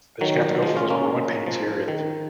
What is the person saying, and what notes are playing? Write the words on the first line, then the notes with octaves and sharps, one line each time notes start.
I just gonna have to go through those growing pains here, and,
D#3 F#3
F3 G#3
C#4 F4
A#3 C#4
F3
D#3